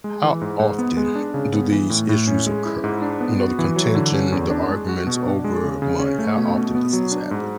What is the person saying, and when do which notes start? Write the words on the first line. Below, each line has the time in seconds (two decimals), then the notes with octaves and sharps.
how often do these issues occur? You know, the contention, the arguments over money, how often does this happen?
0.04 G#3
0.23 E3
0.41 G#2
0.59 G#2
0.79 B3
0.97 G#3
1.15 D4
1.34 C#3
1.53 B3
1.72 E3
1.90 A2
2.09 A2
2.27 C#4
2.46 G#3
2.65 E4
2.84 G#2
3.02 D4
3.21 B3
3.40 F#4
3.59 E3
3.76 F#3
3.95 D3
4.14 C#4
4.32 E2
4.51 D4
4.69 G#3
4.89 F#4
5.07 B2
5.26 D4
5.44 G#3
5.63 C#3
5.82 C#3
6.00 C#4
6.19 A3
6.38 B2
6.56 B2
6.75 B3
6.93 F#3
7.12 D4
7.31 G#2